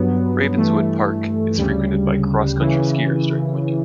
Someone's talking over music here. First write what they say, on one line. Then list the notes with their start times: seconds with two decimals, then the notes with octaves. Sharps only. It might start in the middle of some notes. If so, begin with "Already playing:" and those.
Ravenswood Park is frequented by cross-country skiers during the winter.
Already playing: G2 F#3 B3
0.56 G2 E3 A3
1.57 D2 C#3 G3
2.59 C#3 E3